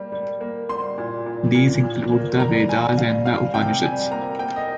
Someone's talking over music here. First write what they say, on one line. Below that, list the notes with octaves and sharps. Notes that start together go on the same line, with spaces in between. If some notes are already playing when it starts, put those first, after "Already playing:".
These include the Vedas and the Upanishads.
Already playing: G3 A#3
G3
A#3
G3 C6
A#2
A#2
A#2
A#2
A#3
G3 A#5
G3 G#5
G3 F5
G3 F5
C3 G5
G3 G#5
A#3 A#5
A#3 G5
D#5